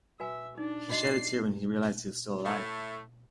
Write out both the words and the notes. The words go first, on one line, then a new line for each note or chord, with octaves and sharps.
He shed a tear when he realized he was still alive.
F#4 B4 E5 G#5
D4 D#4
F#4 D#5 C6 C7
A2 A3